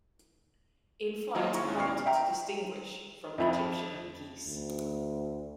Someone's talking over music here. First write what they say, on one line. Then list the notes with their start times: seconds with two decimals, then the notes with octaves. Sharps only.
In flight hard to distinguish from Egyptian geese.
1.35 D#3 F#3 A#3 F4 C5 D#5
1.52 E4 F4 A#5 C#6
1.64 D#2 G#3 C#4
1.77 B2 E4 D5 C#6 F6 C7
2.06 E5 G5 A#5
3.38 F2 F3 D#5 E5 B5
4.44 D2